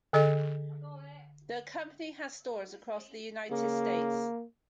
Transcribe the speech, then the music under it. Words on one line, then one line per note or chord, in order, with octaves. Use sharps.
The company has stores across the United States.
D3 A4 D#5
C#3 A#3